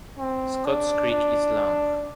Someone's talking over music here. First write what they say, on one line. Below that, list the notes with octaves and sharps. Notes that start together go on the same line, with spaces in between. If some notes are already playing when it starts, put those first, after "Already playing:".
Scotts Creek is long.
C4
D4
D4